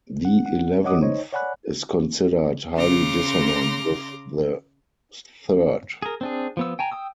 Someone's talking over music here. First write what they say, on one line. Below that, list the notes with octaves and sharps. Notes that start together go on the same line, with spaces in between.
The eleventh is considered highly dissonant with the third.
F#5
F#5
C#5 D#5 F#5 D6 D#6
D#4 C5 C#5 D#5
C#5 D5 F#5 G#5 B5 F#6
C#3 A#5 C6 D6
G#4 A#4
C4 D4 G#4
F3 B3 E6
G5 G#5 A#5
G5 D#6 E6